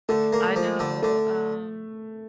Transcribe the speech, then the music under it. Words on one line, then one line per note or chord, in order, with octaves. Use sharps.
I know, um,
D3 A3
A#3
F3
D3
D3 A3